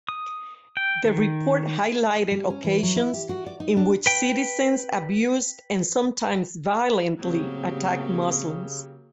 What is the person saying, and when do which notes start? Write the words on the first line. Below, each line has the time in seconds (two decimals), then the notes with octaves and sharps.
The report highlighted occasions in which citizens abused and sometimes violently attacked Muslims.
0.09 D#6
0.77 G5
1.05 D#3
2.31 G3
2.50 C#4
2.64 E3
2.83 F#3
2.96 E4
3.14 G4
3.29 F#4
3.46 D5
3.60 D#4
3.77 D4
4.06 B4 G5
7.19 A2 C#3 F#3 A#3 C4 G4